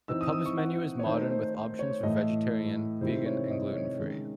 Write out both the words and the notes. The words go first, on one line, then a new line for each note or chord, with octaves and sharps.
The pub's menu is modern, with options for vegetarian, vegan, and gluten free.
E3 C4 D#4 E6
D#6
E6
D#6
C#6
F#5
C#5
D#3 A3 D#4 C5
C5
C5
C#5
A2 E3 A3 D#5
C3 D#3 G#3 C4 E4 C5
C#5
D#5
C#5
D#3 G#3 C#4